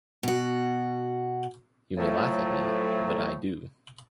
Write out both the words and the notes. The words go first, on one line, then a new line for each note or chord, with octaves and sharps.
You may laugh at me, but I do.
B2 F#4
A2 F3 F#3 A3